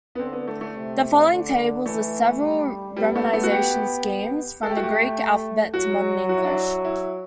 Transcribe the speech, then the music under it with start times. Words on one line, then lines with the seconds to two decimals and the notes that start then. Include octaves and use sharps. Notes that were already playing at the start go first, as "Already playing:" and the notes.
The following tables list several romanization schemes from the Greek alphabet to modern English.
0.15 B3
0.19 D3 C4
0.33 B3
0.48 A3
0.61 A3
0.75 C3
1.31 D3
1.85 E3 A3
2.41 G3
2.97 G3 B3
3.15 A3
3.33 A3
3.43 F#4
3.52 G4
4.62 A3 A4
4.70 G4
4.77 F#4
4.83 G4
5.74 F#3 F#4
6.29 F#4
6.37 E4
6.44 D4
6.52 E4
6.85 E4